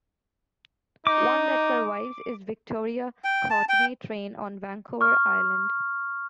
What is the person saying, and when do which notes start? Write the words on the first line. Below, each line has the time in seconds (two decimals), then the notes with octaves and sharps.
One that survives is Victoria - Courtenay train on Vancouver Island.
1.07 D#4 D6
3.24 G5
3.50 A5
3.69 G5
5.01 C#6 F6